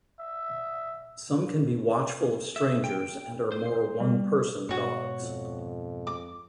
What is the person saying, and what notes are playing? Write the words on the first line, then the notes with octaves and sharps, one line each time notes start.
Some can be watchful of strangers and are more one-person dogs.
E5
E5
G5
C5
C5
G3
G#2 B2 F#4 C#5
F2
D6